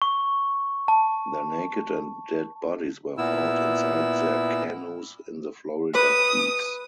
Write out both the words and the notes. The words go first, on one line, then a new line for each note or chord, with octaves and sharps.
Their naked and dead bodies were found inside their canoes in the Florida Keys.
C#6
A5
A#2 B3 E4 E6
B4 D#6